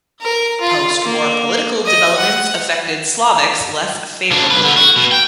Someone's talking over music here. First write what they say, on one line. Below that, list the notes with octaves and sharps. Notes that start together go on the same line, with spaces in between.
Postwar political developments affected Slovaks less favorably.
A#4
F4
A#3
D#5
F#5
C#3 D4
B1 B4
D3 B3
F#4
B2
G5